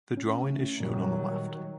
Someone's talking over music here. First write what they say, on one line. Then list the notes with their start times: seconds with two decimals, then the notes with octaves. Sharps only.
The drawing is shown on the left.
0.17 A2 C#4
0.80 A#2 D#3 F#3 G3